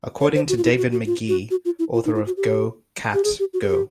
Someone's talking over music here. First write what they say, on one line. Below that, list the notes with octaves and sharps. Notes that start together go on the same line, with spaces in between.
According to David McGee, author of Go, Cat, Go!
C#5
C5
F#4
F4
E4
F#4
F#4
F4
F#4
F#4
F4
E4
F4
D#4
E4
F#4
G4
G4
G#4
G4
F#4
G#4
G4